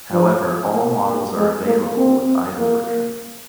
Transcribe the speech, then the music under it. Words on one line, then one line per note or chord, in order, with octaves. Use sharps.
However, all models are available with either version.
F3
A#3
G#3
A#3
C4
A#3